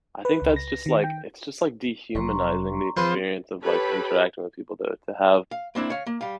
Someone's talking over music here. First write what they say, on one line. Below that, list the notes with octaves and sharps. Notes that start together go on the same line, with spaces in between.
I think that's just, like it's just, like, dehumanizing the experience of, like, interacting with people to to have
B4
C#2
A#6
D#3
G5
F1 F#3 A#5 C6 C#6
F3 C4 G#4 B4 C5 C6
G4 A4 B4 C#5 B5
F5
A#3 C4 D4 E4
C#5 F5
A#3
G3 F5